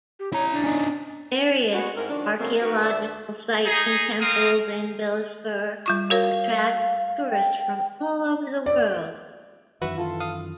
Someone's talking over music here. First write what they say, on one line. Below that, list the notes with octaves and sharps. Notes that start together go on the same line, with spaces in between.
Various archaeological sites and temples in Bilaspur attract tourists from all over the world.
G4
E4 C#5 A#5
D4
C#4 D#4
G#3 B3 F#4
G#2 C4 E4 A#4
D#3 F3 C#4 D4
C#3 F#3 A3 A#3 C4
D#4 F#4 A#4 B4
D2 D3 E5
D#4 G#4
G#3 C4 A#4 F5 D#6
G3 F4 C#6
F#4 A#4 C#5 F5
G5
D5
F#2 D#3 E3 F#4 B4 E5
F4 A4
F5 D#6